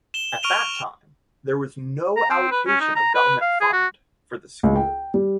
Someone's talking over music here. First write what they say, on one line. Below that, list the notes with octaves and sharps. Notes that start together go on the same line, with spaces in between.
At that time there was no allocation of government fund for the school.
E7 G7
C#6 F6 D7 D#7 F7 G7
A#5
C4
B4
C#4
D#4
A#5
B4
F5
G#4
F#4
C#2
G5
G3